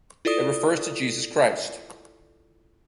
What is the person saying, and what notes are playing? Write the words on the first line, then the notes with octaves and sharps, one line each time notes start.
It refers to Jesus Christ.
E4 F4 A4 D5 D#6